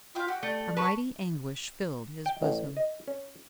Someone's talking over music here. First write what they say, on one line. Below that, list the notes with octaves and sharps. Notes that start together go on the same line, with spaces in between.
A mighty anguish filled his bosom.
F4 F5 G5 B5
G4 F#5
A3 D5
B4 A5 C#6
G5
A1
D#5
C#4